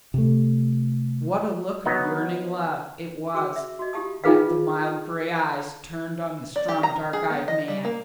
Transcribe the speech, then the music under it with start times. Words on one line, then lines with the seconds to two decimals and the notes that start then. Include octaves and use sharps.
What a look of yearning love it was that the mild grey eyes turned on the strong dark-eyed man!
0.14 C3 A3
1.85 F#3 B3 D#4
3.34 F#4 G#4 D6 E6
3.56 E5
3.79 F#4 D#5
3.93 E4 F4 G4 F5 A5 D#6
4.24 D#4 F4 G#4 B4 F5
6.56 D5
6.68 G4
6.83 A#5
7.13 G#4
7.30 B3
7.48 D#5
7.68 G3
7.85 A#3